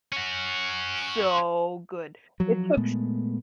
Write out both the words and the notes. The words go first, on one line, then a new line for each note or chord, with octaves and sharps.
so good. It took
C#4 F#4
F3 F#3
A#2 G#3 A3 B3